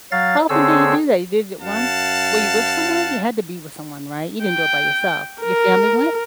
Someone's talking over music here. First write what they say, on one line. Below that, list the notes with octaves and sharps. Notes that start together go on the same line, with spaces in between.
How often do you do that? You did it once. Were you with someone? You had to be with someone, right? You didn't do it by yourself. Your family went?
F#3 F5 A6
D3 C4 G#4 C#5 E6
F#2 F5 F#5 A5
G5
A#4